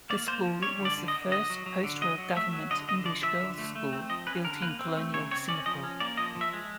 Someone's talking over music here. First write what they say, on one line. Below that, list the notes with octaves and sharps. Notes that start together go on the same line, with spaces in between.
The school was the first post-war government English girls' school built in colonial Singapore.
A#3 D5
A#3 C5
F3
G3 C#5
D3
D5
D3
D#5
D3
F#3 D#5
F#3
F#3
D3
F#3 D#5
F#3
A3 E5
F#3
D3 D#5
D3 D#5
F3 D5
F3 E5
D3
A3
A3
C4
F3 D#5
C#4 B4
D3 A#4
A#3 B4
C4
A3
C#3 C#5
C4 C#5
C#4 D5
F3 D#5
C#4
A#3 D5
F3 D#5
F3
E5
G#3